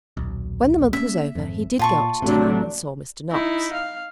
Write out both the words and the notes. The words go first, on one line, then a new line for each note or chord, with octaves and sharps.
When the month was over he did go up to town, and saw Mr. Knox.
D#1 B1
A#3 C#4 E5
G#1 F2
A#2 F4 A5 C#6
A1 C3 F#3 A3 D4
D#4 E4
F5